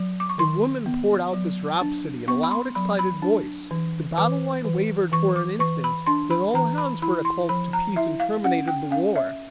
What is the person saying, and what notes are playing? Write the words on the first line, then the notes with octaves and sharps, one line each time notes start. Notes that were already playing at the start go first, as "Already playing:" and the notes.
The woman poured out this rhapsody in a loud excited voice, the battle-line wavered for an instant, then all hands were recalled to peace and terminated the war.
Already playing: F#3
D6
C#6
D#3 C6
B3
F#3
D4
B3 C#6
B5
C6
F#3 B5
B5
D4
E3
E3 D6
E3
E3 C#6
D6
E3 C#6
B5
D4 C6
B5
E3 A#5
B5
E4 B5
C6
F3 B5
A#5
E4 E5
F5
C#4 F#5
G5
C#4 F5
E5